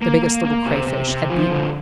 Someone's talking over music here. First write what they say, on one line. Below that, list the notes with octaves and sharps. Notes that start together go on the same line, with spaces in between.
The Biggest Little Crayfish had beaten.
A#3
A#3
A#3
C3
C3
C3
F3
D3